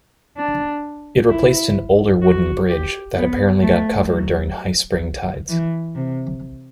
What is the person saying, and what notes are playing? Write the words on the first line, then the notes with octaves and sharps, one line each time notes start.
It replaced an older wooden bridge that apparently got covered during high Spring tides.
D4
E4
F#4
G4
B3
A3
F#3
E3
C3